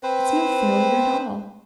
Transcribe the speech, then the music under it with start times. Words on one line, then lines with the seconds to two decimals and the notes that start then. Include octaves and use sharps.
It's no failure at all.
0.03 C4 B4 C5